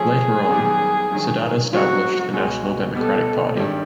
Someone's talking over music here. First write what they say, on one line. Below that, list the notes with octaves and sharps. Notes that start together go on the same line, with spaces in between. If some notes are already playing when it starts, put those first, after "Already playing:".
Later on Sadat established the National Democratic party.
Already playing: C#3 F3 A3 C#4 F4 G#4
F#2 D#3 G3 B3
G2 D#3 F#3
C#3 F#3 A3 C4 D#4 F#4
C#2 B2 G#3 F#4
B2 G3 B3 A4
G#1 G2 D#3 G3